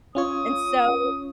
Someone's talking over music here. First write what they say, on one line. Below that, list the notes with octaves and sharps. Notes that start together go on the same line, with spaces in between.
and so
C#4 F4 C#5 D#6